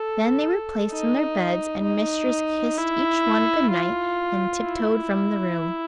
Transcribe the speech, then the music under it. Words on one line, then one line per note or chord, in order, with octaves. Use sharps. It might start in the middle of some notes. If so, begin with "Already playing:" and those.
Then they were placed in their beds and Mistress kissed each one good night and tiptoed from the room.
Already playing: A4
D#4
D#4
E4
F4
E4